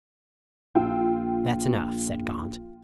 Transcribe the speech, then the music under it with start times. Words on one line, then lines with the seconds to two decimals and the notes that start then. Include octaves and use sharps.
"That's enough," said Gaunt.
0.75 A#1 F4 G5 E6